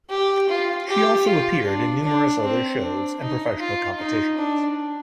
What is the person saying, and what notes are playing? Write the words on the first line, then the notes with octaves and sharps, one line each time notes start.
She also appeared in numerous other shows and professional competitions.
G4
F4
G4
F4
D4
D4
C4
D4
D#4
F4
D#4
D4